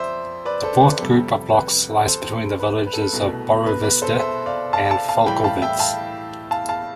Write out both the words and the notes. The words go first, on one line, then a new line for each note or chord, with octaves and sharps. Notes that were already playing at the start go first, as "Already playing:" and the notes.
The fourth group of rocks lies between the villages of Borovitsa and Falkovets.
Already playing: F2 C5 D5 E5
B4 D5
A4 C5
B4
F2 C3 G3 A4
B4
A4 C5
B4
B4
A4
B4
C2 B2 A3
B4
B4
A4 C5
C5 E5
D5 F5
F5 A5
F5 A5
F5 A5
A2 E3 G3 G5 B5
F5 A5
E5 G5
F5 A5
F5 A5
F5 A5